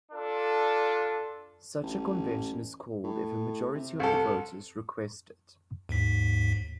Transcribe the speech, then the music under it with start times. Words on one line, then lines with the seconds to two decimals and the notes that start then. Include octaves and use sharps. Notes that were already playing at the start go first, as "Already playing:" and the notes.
Such a convention is called if a majority of the voters request it.
0.12 D4 F4 A4
1.83 A1
3.04 A2
3.74 C3
4.00 C2 A4
5.89 D#2 G#2 B6